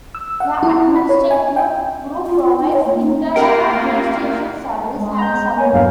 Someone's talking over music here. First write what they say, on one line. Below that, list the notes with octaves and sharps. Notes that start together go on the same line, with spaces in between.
The Administrative Group provides internal administration service and support.
E6
F#5
E4
B5
C#5
G#5
G5
F4
F4
D#4
C#5
A#3
D#4
A#3 E4 F4 G4 A#4 F#5 G5
G#3
A#5 G6
A#3 B3 C#5 G#5
E2 G2 F#3 F5